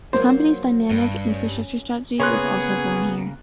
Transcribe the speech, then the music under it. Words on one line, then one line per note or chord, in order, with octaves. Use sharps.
The company's Dynamic Infrastructures strategy, was also born here.
F#3 A#3 C5
G2
C#4
C#3 A#3 B3 G#4 C#5 C6 F#6